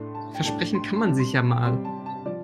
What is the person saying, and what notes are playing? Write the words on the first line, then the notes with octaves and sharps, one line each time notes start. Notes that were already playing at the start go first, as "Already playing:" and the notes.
Versprechen kann man sich ja mal.
Already playing: A2 A3 D4 C6
A5
G5
A2 A3 D4 A5
C6
C6
C3 G3 C4 A5
C6
A5
G5
C3 G3 C4 C6
A5
A5
F3 D5